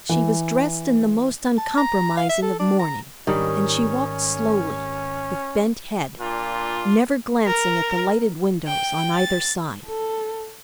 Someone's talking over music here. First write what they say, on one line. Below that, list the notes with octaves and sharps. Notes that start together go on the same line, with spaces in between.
She was dressed in the most uncompromising of mourning, and she walked slowly, with bent head, never glancing at the lighted windows on either side.
E3
A5
A#5
F5
E5
A4
D4
A#5
G#1 G#2 D#3 G3 C#4
A#2 D4 F4
A#4
G5
A6
A4